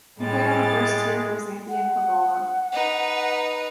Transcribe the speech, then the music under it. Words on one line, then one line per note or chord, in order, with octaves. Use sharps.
He played on the first tier for Xanthi and Kavala.
A2 G3 G#3 A6
F#5
D#4 B4